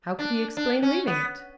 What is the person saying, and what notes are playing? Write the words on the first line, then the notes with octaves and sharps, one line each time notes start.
How could he explain leaving it?
D4
D4
C#4
B3